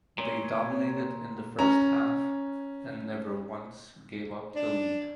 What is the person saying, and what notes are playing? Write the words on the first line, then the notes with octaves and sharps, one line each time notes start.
They dominated in the first half and never once gave up the lead.
A#2 C#5
C#4 A#5
D4